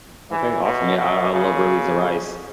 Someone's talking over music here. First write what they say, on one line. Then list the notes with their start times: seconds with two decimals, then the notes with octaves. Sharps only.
M okay, awesome. Yeah, I I love red beans and rice
0.31 E3
0.65 B2
0.98 B2
1.33 C#3